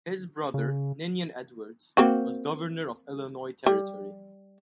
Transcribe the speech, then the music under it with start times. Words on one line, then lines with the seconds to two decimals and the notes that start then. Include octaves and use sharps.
His brother Ninian Edwards was Governor of Illinois Territory.
0.54 C#3
1.97 A#3 C4 F#4
3.66 G3